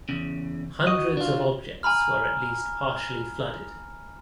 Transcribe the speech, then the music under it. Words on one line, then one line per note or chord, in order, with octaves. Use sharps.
Hundreds of objects were at least partially flooded.
E2 C#3
F#4 D#5
D4 F4
G#5 A#5 B5 F6